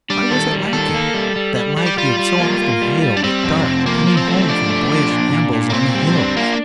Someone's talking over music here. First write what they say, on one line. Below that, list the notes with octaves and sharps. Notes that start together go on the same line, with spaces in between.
Why was it lacking, that light he had so often hailed at dark, coming home from boyish rambles on the hills?
G3 D4
D#3 A4
G3
D#3 A4
A#3
G3
G3
G3
G3
G4
G3 F4
G3
A#3
A#3
G3
G3
D4
G3 C4
F2
C3
F3 A#3
F3
C4
A3
F3 D4
A3
F3
A#2
A#2
A#2
A#3
A#2 C4
G3
D4
A#3 F4